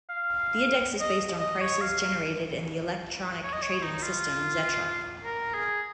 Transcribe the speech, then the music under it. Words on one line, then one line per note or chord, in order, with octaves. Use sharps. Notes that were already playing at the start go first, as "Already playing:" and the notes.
The index is based on prices generated in the electronic trading system Xetra.
F5
D#5
D#5
C#5
F5
F5
C#5
D#5
C#5
D#4
F4
A#4
G#4